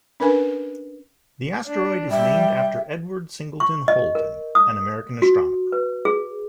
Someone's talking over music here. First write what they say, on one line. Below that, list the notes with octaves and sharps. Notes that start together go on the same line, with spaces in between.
The asteroid is named after Edward Singleton Holden, and American astronomer.
C#4 D4 A#4 B4 G#5
D4
G3 E5
C#6
D#5
A#4
D#6
F#4
B4
G#4